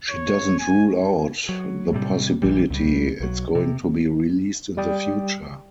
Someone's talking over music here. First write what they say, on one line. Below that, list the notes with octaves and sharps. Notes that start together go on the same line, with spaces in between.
She doesn't rule out the possibility it's going to be released in the future.
C#5
G#5
F#3
A2 C3 G3
A#1 A#2 E3 G3
C#2 G3
B1 F#3
C3
G3 D5 G5 D#6